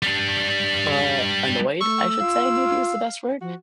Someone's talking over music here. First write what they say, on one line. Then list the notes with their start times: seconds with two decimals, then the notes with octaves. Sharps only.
uh, annoyed, I should say maybe is the best word.
0.03 G3 D4
1.81 A3 C#6 E6
2.21 F4 F5
3.41 F3 F#4